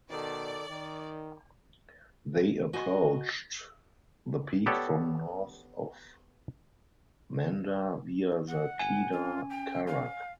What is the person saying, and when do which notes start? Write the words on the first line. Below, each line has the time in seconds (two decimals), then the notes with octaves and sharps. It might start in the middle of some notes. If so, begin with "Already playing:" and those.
They approached the peak from north of Manda via the Kedar Kharak.
0.11 B2 D#3 A4 D5
0.68 D#3
2.73 F#4 D#5 G#5
4.66 B3 G4 A4 C#5 D5
8.48 F#5
8.79 G1 G#5
9.12 C#4 F4
9.50 G5
9.87 F5